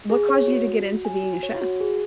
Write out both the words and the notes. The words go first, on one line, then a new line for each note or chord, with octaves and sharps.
what caused you to get into being a chef?
G#4
C#5
F#4
F#4
F#4
G#5
F#4
C#5
F#4
G#4